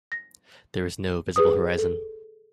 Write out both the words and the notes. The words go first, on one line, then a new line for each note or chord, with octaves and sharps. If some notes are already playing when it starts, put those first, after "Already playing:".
There is no visible horizon.
A#6
G#4 B4 D#6
A4